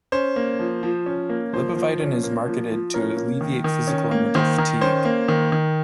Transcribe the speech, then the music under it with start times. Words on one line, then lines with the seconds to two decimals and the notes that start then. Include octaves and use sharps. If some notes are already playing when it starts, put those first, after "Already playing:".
Lipovitan is marketed to alleviate physical and mental fatigue.
0.12 C#4 C5
0.36 A#3
0.59 F3
0.83 F3
1.06 C#4
1.29 A#3
1.53 F3 C5
1.76 F3
2.00 C#4
2.23 A#3
2.47 F3
2.71 F3
2.94 C#4 A#4
3.17 A#3
3.41 D#3
3.64 D#3
3.87 C#4
4.11 A#3
4.35 D#3 C5
4.58 D#3 A#4
4.81 C#4 C5
5.05 A#3
5.28 D#3
5.52 D#3